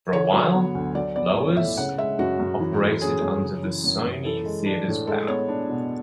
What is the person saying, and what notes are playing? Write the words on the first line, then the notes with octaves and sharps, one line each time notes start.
For a while, Loews operated under the Sony Theaters banner.
D3 C#5
F#3
B3
D2
F#3 D5
B3 D5
A2 C#5
A2 E5
C#3 F#5
G#3 E5
F#2 F#4
F#2
E3
A3
C#4 G#4
F#2
C#3
E3
F#2
F#2
E3 A4
G#3
D4
A2
G#3 A4
B3 C#5
D4
B2